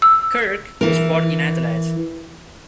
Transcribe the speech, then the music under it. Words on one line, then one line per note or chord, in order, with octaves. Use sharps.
Kirk was born in Adelaide.
E6
E3 A#4